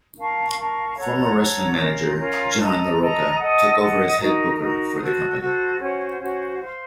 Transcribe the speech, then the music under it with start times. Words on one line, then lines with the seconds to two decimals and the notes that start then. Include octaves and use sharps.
Former wrestling manager John LaRocca took over as head booker for the company.
0.18 A#4 F5 A5 C#6
0.58 A#4 F5 A5 C#6
0.98 A4 C#5 F#5 A#5
1.38 A4 C#5 F#5 A#5
1.79 C#4 F4 A#4
2.18 C#4 F4 A#4
2.59 A4 D#5 A#5
2.99 A4 D#5 A#5
3.39 A4 D#5 F#5
3.79 A4 D#5 F#5
4.19 D#4 F#4 A#4
4.60 D#4 F#4 A#4
5.00 F#4 A4 C5
5.40 F#4 A4 C5
5.79 C#4 F#4 C5 F#5
6.19 C#4 F#4 C5 F#5
6.60 C5 F5 C6